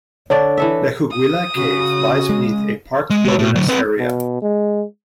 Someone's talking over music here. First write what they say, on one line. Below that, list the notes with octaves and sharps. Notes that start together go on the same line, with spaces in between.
Lechuguilla Cave lies beneath a park wilderness area.
D3 D4 C#5 D5
E3 A4 E5
D#6
C#3 F#4
G#3
G#3
G#3 C#5
A2
D2 F#3
C4 B4
B2
G#3